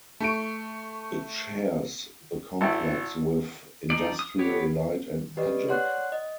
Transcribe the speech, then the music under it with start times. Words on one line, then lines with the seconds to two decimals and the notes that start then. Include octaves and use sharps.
It shares the complex with Industrial Light and Magic.
0.20 A3 C#6 D7
2.61 G#1 E4 G5
3.90 F3 D#4 D5
4.19 D#6
4.39 B3 G4 C#5
5.37 G4 B4 D5 D#5
5.69 C#5 D5 F#5 C6 F#6
6.12 D#5